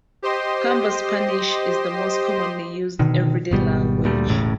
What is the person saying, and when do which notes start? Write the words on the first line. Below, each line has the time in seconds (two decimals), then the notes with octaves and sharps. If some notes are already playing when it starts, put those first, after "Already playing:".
Camba Spanish is the most commonly used everyday language.
0.22 G4 C5 D#5 C6
2.99 B2 D3 D#3
3.51 G#1 B2 G3
4.04 D2 A#2 G3 A3
4.28 E1 A1 A2 C#3